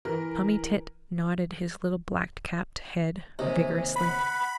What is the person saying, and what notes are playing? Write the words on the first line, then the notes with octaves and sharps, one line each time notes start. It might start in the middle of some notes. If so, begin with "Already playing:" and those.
Tommy Tit nodded his little black-capped head vigorously.
E3 A#4
D#2 C3 E5 G#5
F#5 B5